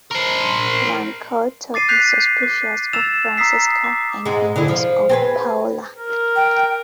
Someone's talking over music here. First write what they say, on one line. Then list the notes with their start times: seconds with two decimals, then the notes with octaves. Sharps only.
Lanceotto is suspicious of Francesca and envious of Paolo.
0.11 A#4 C5
1.74 D6 A6 C7 D#7
1.88 F#6 G6 B6 C7 F7
2.43 D6
2.93 E6 A6 E7 F7
3.37 A#5 D#6 E6 B6 C7
3.84 D6
4.25 G#2 G#3
4.56 D3 E4
4.68 F3
5.09 C4 G#4 B4
5.97 A#4
6.36 G5